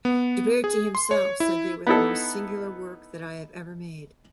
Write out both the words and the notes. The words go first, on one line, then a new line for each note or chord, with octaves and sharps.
Ghiberti himself said they were "the most singular work that I have ever made".
B3
G#4
C6
C#5
E4
B3 D#4 E4 A4